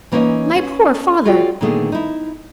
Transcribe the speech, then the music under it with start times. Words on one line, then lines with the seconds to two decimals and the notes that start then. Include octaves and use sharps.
My poor father!
0.12 E3 A#3 C#4 D#4 C#5 D#5
0.55 C#4
1.25 F4 F#4 G#4 C#5 D5 G5
1.61 A#2 D3 D#3 A3 B3 G#4
1.92 D#4 E4